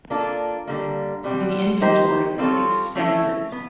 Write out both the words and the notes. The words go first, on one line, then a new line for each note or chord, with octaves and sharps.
The inventory is extensive.
A#3 D4 F4 A4
D3 G3 A#3
B2 G3 C4
A#3 D#4 G4 C5
G3 C4 F4 A4 C#5
A3 C#4 E4
B3